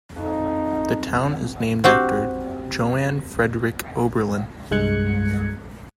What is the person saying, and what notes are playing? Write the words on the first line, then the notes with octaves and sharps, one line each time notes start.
The town is named after Johann Friedrich Oberlin.
F2 D#4
C4 F#4 G4
C2 G2 G#3 F#6 G#6 C#7